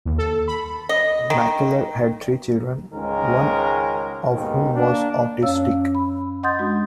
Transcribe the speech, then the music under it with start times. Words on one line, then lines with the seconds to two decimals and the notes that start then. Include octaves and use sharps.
Mackellar had three children, one of whom was autistic.
0.05 D#2
0.18 A4
0.48 B5
0.89 D#5
1.30 D#3
2.93 C#2 G#2 D#3 G#3 C#4 A#4
4.32 D#2 G#2 B2 D#3
4.74 A#3 D4
5.42 F#2 C#4 C#5 F5 E6
5.95 B5
6.43 D#5 F#5 C6 D#6 G6 A6
6.59 G#3 D4 F#4